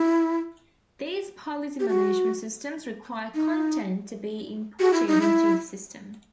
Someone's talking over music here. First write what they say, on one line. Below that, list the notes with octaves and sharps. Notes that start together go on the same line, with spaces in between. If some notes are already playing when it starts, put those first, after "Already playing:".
These policy management systems require content to be imported into the system.
Already playing: E4
G4
F#4
D#4
F#4
E4
D#4
E4